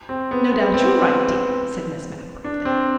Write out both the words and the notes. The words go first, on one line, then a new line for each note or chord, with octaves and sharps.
"No doubt you're right, dear," said Miss Mapp brightly.
C4
B3
G#3
C4
D4
C4